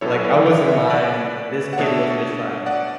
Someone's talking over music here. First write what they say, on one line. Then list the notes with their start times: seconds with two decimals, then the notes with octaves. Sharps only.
like, I was in line, and this kid was just, like,
0.01 A2 F#3 C#4 E4 A4 C#5
0.24 B4 D5
0.46 C#5 E5
0.68 C#5 E5
0.90 B4 D5
1.73 F#5
1.78 B2 A3 D4 C#5 E5
2.66 D5 F#5